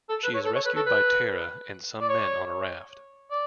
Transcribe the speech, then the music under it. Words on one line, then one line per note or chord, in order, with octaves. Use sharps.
She is rescued by Tara and some men on a raft.
A4
B4
C#5
A4
C#5
B4
A4
B4
D5
C#5
D5